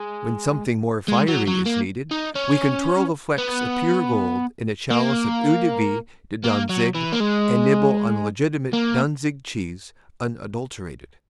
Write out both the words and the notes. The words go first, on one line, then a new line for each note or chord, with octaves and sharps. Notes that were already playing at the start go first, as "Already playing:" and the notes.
When something more fiery is needed we can twirl the flecks of pure gold in a chalice of Eau de Vie de Danzig and nibble on legitimate Danzig cheese unadulterated.
Already playing: G#3
G#3
F#3
F#3
A#3
D#4
C#4
B3
A#3
A#3
F#3
E3
A#3
G#3
A#3